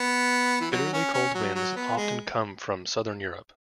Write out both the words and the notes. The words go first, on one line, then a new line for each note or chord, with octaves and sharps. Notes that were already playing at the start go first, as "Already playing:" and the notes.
Bitterly cold winds often come from Southern Europe.
Already playing: B3
E3
F#3
C#4
C#4
F#3
F#3
B3
G#3